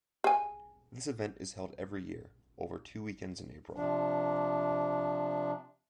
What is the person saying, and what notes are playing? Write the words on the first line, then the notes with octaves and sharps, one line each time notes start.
This event is held every year, over two weekends in April.
G#4 G#5
C3 F3 D4